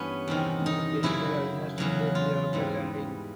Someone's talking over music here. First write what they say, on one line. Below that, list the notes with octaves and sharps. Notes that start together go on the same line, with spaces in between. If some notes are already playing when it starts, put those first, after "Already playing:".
He fainted almost immediately after landing.
Already playing: G2 E3 G3 B3 C#4
E2 C3 D#3
D#4
F#2 C#3 F#3 E4
E2 C#3 F#3
F4
G#2 E3 G3